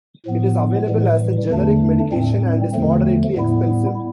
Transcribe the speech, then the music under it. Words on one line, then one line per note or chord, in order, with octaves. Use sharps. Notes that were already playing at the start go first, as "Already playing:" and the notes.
It is available as a generic medication and is moderately expensive.
A2 F3 B3
A2 E3 G3
E2 D3 A3 D4
A2 G3 C4
E2 D3 F3 A3
A2 G3 B3 E4